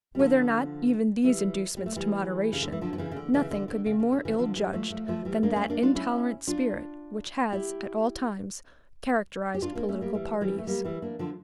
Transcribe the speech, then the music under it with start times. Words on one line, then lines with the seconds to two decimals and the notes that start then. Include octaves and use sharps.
Were there not even these inducements to moderation, nothing could be more ill-judged than that intolerant spirit which has, at all times, characterized political parties.
0.15 G3
0.19 D3 F3
1.24 E3 G3
1.77 G3
1.86 A3
1.96 E3 G3
2.53 C#3
2.62 D3
2.72 E3
2.81 D3 F3
2.93 F3
2.98 C#3 E3
3.11 C#3
3.16 D3
3.34 C#3 E3
3.51 D3
3.68 D3
3.86 C#3
3.99 C#3
4.12 D3
4.25 C#3 E3
4.39 D3 F3
4.56 E3 G3
4.73 F3 A3
4.90 F3 A3
5.08 F3 A3
5.25 E3 G3
5.43 A#3 D4
5.56 A3 C#4
5.70 A#3 D4
5.83 D4 F4
5.95 C#4 E4
6.47 D4 F4
7.52 E4 G4
9.55 G4
9.62 D4 F4
9.75 A#3 D4
9.89 A3 C#4
10.01 G3 A#3
10.15 E3 G3
10.41 E3 G3
10.58 A3
10.67 G3 A#3
10.85 E3 G3
11.02 A#3 D4
11.19 D3 F3